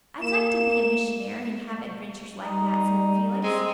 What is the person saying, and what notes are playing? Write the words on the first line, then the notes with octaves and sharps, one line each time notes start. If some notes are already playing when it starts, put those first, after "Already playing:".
"I'd like to be a missionary and have adventures like that," said Felix.
A#3 E7
G3 D#4
G#3 C4